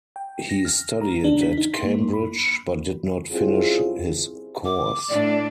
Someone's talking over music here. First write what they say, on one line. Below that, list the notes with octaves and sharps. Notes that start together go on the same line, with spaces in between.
He studied at Cambridge, but did not finish his course.
G5
A#6
F6
A#5
D4
B6
D#4
C6
A#3
F#2
B5
F#2 G3 C4 E4 F4 G#4
D6
A2 D4 D5